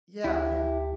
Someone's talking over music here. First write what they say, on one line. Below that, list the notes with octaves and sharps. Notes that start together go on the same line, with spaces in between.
Yeah, yeah.
D2 E4 G4